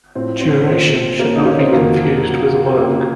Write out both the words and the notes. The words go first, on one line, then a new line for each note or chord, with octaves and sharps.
Duration should not be confused with work.
A2 F3 C4
C4
C#4
A#2 F3 C4
A#2 F3 A#3 C#4
D#4
A#3 C#4
C4
F2 D#3 F#3 A#3
A#2 F#3
C4
F#2 C#3 F3 A#3